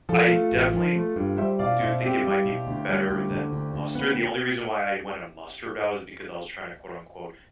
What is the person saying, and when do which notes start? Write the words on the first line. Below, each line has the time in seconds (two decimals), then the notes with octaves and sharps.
I definitely w w do think it might be better than mustard. The only reason why I want a mustard that was because I was trying to quote, unquote
0.09 F3 F4 A4
0.31 A3
0.52 A1
0.74 F3
0.95 A3
1.16 G2
1.38 G3 C5 E5
1.59 B2 D5 F5
1.81 B2 C5 E5
2.02 C4 G4
2.24 G3
2.45 B2
2.67 D2
2.88 G3
3.10 D2
3.31 D3
3.53 D2
3.74 D2
3.95 B3